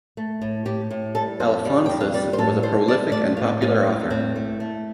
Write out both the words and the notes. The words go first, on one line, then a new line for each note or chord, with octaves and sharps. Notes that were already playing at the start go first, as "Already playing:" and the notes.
Alphonsus was a prolific and popular author.
A3
A2
A2 G4
A2
G3 A4
F2 C5
G3 D5
F2 G5
F5
G3 D5
C5
A2 A4
A2 C5
G3 D5
A3 D5
A2 F5
A2 F4
A3
D4
A2 C4
A3
A3